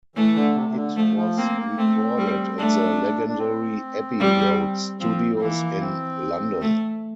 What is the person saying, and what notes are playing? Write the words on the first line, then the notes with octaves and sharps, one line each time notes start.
It was recorded at the legendary Abbey Road Studios in London.
E3 A3
D3
C3
C3
D3
F3 A3
F3
A#3 C4
A#3
A3 C4
G3
A3 D4
D4
C4
G3
F3 C4
C4
E3 A#3
C4
A3